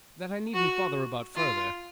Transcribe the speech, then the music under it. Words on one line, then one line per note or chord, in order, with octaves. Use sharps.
That I needn't bother about further....
F#4
F4